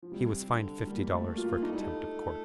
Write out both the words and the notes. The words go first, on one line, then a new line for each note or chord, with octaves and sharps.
He was fined fifty dollars for contempt of court.
F3
C3 G3
D3
G3 A#3
A3
F4
A3 D#4
G3
A3